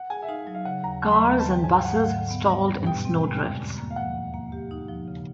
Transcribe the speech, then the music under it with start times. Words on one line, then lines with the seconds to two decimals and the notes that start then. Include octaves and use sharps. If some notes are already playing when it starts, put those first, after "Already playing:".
Cars and busses stalled in snow drifts.
Already playing: F#5
0.10 G#4 G#5
0.22 E5
0.28 D#4 F5
0.47 F#3
0.54 F5
0.65 C#3 F#5
0.84 D#2 A#5
1.02 F#3 A5
1.12 B5
1.20 D#2 C6
1.29 A#5
1.39 D#3 A5
1.52 G5
1.58 G#2
1.64 G#5
1.76 F#3 G5
1.85 F#5
1.94 G#2 F5
2.03 F#5
2.13 D3
2.31 B3
2.50 G3
2.68 G2
2.86 B2 G5
3.05 C4
3.23 G#3
3.42 E2
3.59 D3
3.78 A#3
3.90 F5
3.96 F3 F#5
4.15 D#2
4.34 A#3
4.52 G4
4.71 D#4
4.88 F3
5.08 C#3